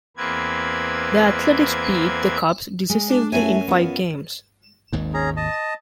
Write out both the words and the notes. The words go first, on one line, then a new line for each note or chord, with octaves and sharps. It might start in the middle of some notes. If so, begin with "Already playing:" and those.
The Athletics beat the Cubs decisively in five games.
E2 A#3 C4 B4 G#6
G#3
D4
F#2 A3 E4 E5 G#5
B3 F4
G#1 D#2 G#2
C#4 G#4 A#5
D#5 A5